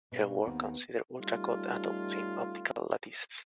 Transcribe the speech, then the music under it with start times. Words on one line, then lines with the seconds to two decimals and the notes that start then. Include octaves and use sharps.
Her work considered ultra cold atoms in optical lattices.
0.12 B2 C#4
0.45 D#2 D#3 B3 C4
1.18 G3 A3 C#4 D#4 F4